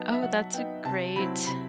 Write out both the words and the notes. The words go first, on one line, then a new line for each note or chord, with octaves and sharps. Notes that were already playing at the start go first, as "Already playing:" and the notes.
Oh, that's a great
Already playing: F#3 B3 D#4 A5
E5
F#3 F#5
B3 D#4 G5
C3 A5
F#3 C4 E4 B5
C3 B5